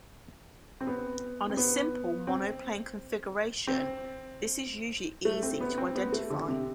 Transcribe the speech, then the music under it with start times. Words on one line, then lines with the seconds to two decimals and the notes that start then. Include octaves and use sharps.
On a simple monoplane configuration, this is usually easy to identify.
0.81 C4
0.87 B3
1.50 C4
1.57 B3
2.27 C4
3.67 C4
5.25 A3
5.43 C4
5.61 B3
5.78 C4
5.95 B3
6.12 A3
6.30 D3
6.48 C3